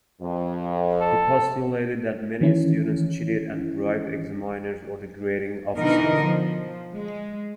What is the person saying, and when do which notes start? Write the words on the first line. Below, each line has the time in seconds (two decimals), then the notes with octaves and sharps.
He postulated that many students cheated and bribed examiners or the grading officers.
0.21 F2
1.01 A4
2.41 D#3 E3 C#4 E4
5.75 B2 D3 E3 D#4 A#4 D#5
6.21 F3
6.94 G#3